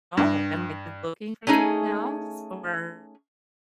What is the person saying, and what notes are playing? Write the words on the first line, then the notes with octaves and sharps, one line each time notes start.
Oh, am I looking for something else? Or
G2
A3 C#4 D#4 G#4